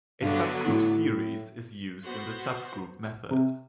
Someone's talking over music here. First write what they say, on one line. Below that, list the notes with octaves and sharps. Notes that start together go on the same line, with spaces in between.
A subgroup series is used in the subgroup method.
G2 D3 F#3 B3
A2
B3 F#4 C5
C3